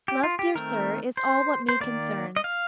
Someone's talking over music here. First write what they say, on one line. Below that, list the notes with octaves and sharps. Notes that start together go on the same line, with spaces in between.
Love, dear sir, is all what me concerns.
G4
F4
G4
D#3 A3 C4 A#4
C5
C5
D#3 A#3 D5
D#5
F5